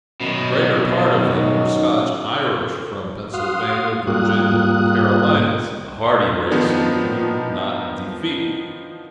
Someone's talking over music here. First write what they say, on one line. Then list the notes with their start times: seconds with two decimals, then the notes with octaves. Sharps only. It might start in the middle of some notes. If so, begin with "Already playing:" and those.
The greater part of them were Scotch-Irish from Pennsylvania, Virginia, the Carolinas--a hardy race, who knew not defeat.
0.21 F#2 B2 D#3
1.18 D#4
3.33 F#4 F5 C6 D#6
4.07 G#2 G3 A#3 F4 D#6 F#6
6.51 D#3 F3 B3 D4 D#4